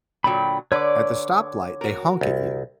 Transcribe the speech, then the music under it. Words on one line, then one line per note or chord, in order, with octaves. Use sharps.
at the stoplight they honk at you.
A#2 D3 F#3 G5 B5
D3 B4 C#5 D5 D6
F#4 A#4
C2